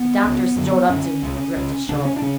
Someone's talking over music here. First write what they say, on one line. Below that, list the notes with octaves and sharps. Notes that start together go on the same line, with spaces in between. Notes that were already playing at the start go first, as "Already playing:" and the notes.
The doctor strode up to him and gripped his shoulder.
Already playing: B3
C#2 C#3
F#2 D3
F#2 D3 C#4
C#2 C#3
C#2 C#3
D2 C#3 D4
C#4
D4
C#3 C#4